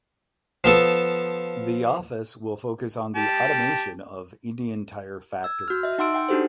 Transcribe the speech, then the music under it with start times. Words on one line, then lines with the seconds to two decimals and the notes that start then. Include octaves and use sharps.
The office will focus on the automation of Indian tire factories.
0.64 F3 B3 A4
3.16 G4 A5
5.44 E6 G#6
5.68 F#4 F6
5.83 D#5 E5
5.98 D#4 F#5 C6 E6 D7
6.14 F#5 G5
6.29 D4 D#4 F#4 G4 A4 C5